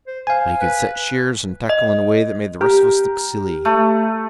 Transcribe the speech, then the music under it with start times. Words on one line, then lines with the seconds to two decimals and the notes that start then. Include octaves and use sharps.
But he could set sheers and tackle in a way that made the rest of us look silly.
0.07 C5
0.27 C5 F5 G#5
0.61 B4
1.69 D#5
2.61 G4 A#4
3.65 A3